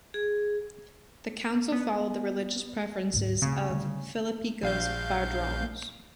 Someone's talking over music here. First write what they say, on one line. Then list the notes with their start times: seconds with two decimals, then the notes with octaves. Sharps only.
The Council followed the religious preferences of Philippikos Bardanes.
0.14 G#4
1.72 B3
3.14 D2 G#2
3.42 C#3 A3 C4
3.70 D3 G3 A3
4.63 A#1 F5 G6